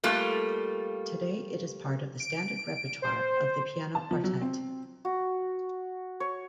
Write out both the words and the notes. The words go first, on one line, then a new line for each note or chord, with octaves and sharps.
Today it is part of the standard repertoire of the piano quartet.
G3 A3 A#3 F4
D7
C5
A5
F3
F#3
C4
F#4
C#5